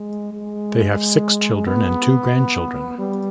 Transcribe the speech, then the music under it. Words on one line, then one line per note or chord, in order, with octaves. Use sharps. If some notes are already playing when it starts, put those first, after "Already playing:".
They have six children and two grandchildren.
Already playing: G#3
G#3
B3
G3